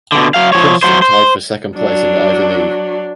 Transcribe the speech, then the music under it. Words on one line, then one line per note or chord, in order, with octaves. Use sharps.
Princeton tied for second place in the Ivy League.
B2 D3
F#3 F5
F3 C#5
F#3 C5
C5
F#3 D4